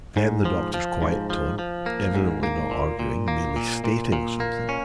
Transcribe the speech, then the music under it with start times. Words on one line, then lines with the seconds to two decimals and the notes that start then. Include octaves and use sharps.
Then the doctor's quiet tone, evidently not arguing, merely stating something.
0.17 G#2
0.45 F3
0.74 F3
1.02 G#2
1.30 F3
1.59 F3
1.86 A#3
2.15 G#2
2.43 A#3
2.71 A#2
2.99 A#2
3.28 A#3
3.56 A#2
3.84 A#2
4.12 A#2
4.40 A#3
4.69 C#4